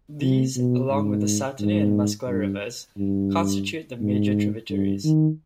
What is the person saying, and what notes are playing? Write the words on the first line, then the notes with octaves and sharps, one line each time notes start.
These, along with the Sahtaneh and Muskwa Rivers constitute the major tributaries.
C3
B2
G#2
G#2
G2
G2
G#2
G2
D#3